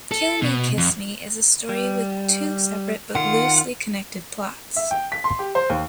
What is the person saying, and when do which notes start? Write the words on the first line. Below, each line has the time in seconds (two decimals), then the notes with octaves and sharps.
"Kill Me, Kiss Me" is a story with two separate but loosely connected plots.
0.12 A4
0.42 B2
0.78 F2
1.69 G3
3.15 D#3 F4 F#5
4.76 E5
4.91 G5
5.12 B6
5.24 C6
5.39 G4
5.55 C5
5.70 D#2